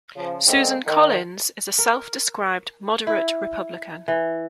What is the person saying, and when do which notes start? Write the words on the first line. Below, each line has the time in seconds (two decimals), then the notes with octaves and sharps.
Susan Collins is a self-described moderate Republican.
0.16 C#3 F3
0.47 D3 G#3 A#3 C4
0.87 D#3
1.78 A#4
3.07 E4
4.08 E3